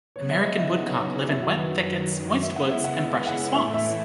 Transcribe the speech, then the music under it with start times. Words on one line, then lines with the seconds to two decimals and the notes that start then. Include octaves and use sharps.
American woodcock live in wet thickets, moist woods, and brushy swamps.
0.15 C#3 F#3 B3 F#4 C#5
0.30 E5
0.44 D#5
0.58 E4
0.71 D#4
0.86 C#4
1.00 D#4
1.14 C#4
1.28 F#2 D#3 F#3 E4
1.43 F#4
1.57 B4
2.41 C#3 G#3 B3 E4 E5
2.56 F#5
2.70 E5
2.84 F#5
2.98 E5
3.27 F#5
3.54 A2 E3 A3 E4 E5
3.73 E5